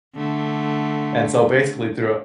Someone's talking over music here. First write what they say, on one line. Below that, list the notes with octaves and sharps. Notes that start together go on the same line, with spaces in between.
And so basically throughou
D3 A3